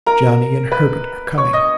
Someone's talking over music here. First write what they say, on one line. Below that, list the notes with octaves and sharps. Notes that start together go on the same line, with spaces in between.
Johnny and Herbert are coming.
A#4 A#5
B4 B5
C#5 C#6
D#5 D#6